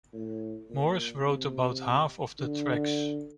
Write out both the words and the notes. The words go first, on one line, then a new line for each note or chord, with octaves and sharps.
Morse wrote about half of the tracks.
A2
A#2
C3
D3